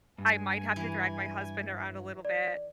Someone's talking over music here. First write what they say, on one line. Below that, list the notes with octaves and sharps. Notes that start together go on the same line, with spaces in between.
I might have to drag my husband around a little bit
G2 G#5
E3
D5